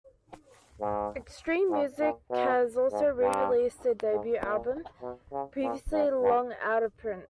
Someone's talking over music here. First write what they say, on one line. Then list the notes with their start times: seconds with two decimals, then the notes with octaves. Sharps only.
Xtreem Music has also re-released the debut album, previously long out of print.
0.80 G#2
1.70 G#2
2.00 A#2
2.30 B2
2.91 G#2
3.21 G2
4.11 G#2
4.41 A#2
5.01 B2
5.32 C#3
5.62 A#2
5.92 G#2
6.21 G2